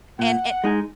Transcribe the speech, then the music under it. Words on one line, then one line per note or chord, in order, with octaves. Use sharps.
And and
A#2 F#5
G#3 D#4 G#4